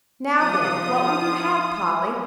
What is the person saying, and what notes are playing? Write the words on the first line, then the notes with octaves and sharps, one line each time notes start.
"Now, then, what will you have, Polly?"
F3 D#6